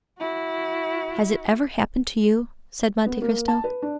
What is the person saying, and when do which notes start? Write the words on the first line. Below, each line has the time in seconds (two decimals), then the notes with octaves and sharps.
"Has it ever happened to you?" said Monte Cristo.
0.18 E4 F#4
3.06 B3
3.22 A#3
3.48 A5
3.64 B4
3.82 D4